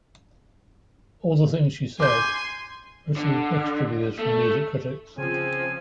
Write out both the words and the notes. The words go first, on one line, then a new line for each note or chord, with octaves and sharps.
"All the Things She Said" received mixed reviews from music critics.
G#5 C6 D6 G6
D3
A3
C#3 F3 C4 G#5